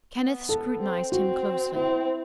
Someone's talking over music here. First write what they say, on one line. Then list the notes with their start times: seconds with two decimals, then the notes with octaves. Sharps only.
Kenneth scrutinized him closely.
0.18 B3
0.49 A4
0.80 C4
1.12 C4 F#4
1.74 C4 E4